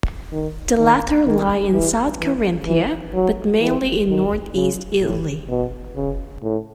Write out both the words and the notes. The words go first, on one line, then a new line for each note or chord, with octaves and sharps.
The latter lie in South Carinthia, but mainly in Northeast Italy.
D#3
D#3
D#3
E3
E3
E3
F#3
E3
D#3
C#3
A2
B2
C#3
A2